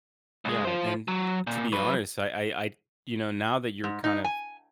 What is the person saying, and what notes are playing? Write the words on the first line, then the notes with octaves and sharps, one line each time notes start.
Yeah, and to be honest, I I I you know, now that you're kind of
C#2 G#3
F4 C5
F#3
A#2
F#3 B4
G#2
D#4
G#5